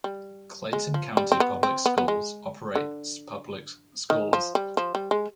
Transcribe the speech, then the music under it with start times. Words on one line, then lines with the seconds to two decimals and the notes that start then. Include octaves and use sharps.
Clayton County Public Schools operates public schools.
0.04 G3
0.73 G#3
0.94 F3
1.17 G3
1.32 C4
1.40 B3
1.63 C4
1.86 B3
1.98 B3
2.08 G#3
2.75 D3
4.10 D#3
4.33 F3
4.55 G3
4.77 F3
4.95 G3
5.11 G#3